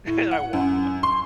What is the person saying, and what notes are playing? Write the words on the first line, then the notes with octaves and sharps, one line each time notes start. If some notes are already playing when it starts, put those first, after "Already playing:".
And I walked
A2
F#5
F#2
C6